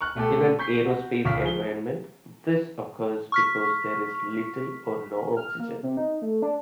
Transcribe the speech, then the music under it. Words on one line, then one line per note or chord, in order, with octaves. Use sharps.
In an aerospace environment, this occurs because there is little or no oxygen.
C#6 F6 F#6
B2 A3 G4 A4
C#6 G6 B6 C7
F#4
C#2 C#6 F6 B6 C7
F3 G#4 G7
C#6 F6 B6
F6
A#3
C3
D#4
A3
D4